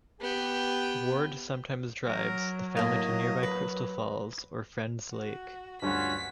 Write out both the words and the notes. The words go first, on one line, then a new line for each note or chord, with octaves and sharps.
Ward sometimes drives the family to nearby Crystal Falls or Friends Lake.
B3 G4 G5
F#3 A#4
A2 A#3 D#5
B4
F#4
D2 G2 C#4 F4 F#4 B6